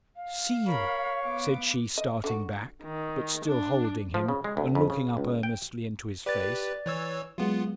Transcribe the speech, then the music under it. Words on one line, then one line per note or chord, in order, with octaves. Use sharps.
'See you!' said she, starting back, but still holding him and looking up earnestly into his face.
F5
A#4 C#5 B5
B3 D6
D#5
D3 F#4
D#3
D4
F3
C#3
G#3
D2
F2
C#3
C#2
G5
G4 B4 D5 A6
E3 C#5 E6
F#3 G#3 B3 F4